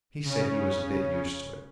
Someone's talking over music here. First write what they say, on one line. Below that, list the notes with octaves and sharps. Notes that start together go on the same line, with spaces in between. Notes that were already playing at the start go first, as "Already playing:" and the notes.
He said he was a bit used to it.
C#3 C#4